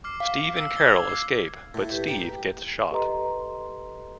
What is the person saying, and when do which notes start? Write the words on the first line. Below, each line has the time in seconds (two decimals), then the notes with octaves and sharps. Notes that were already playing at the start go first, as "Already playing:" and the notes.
Steve and Carol escape but Steve gets shot.
0.04 D6 F6 C7
0.20 F5
0.57 E6
0.76 G#6 G7
1.09 C7
1.74 A2
1.91 G4 B4
2.08 G4 G5 A#5
2.91 G4 A4 B4 D#5 A#5 C6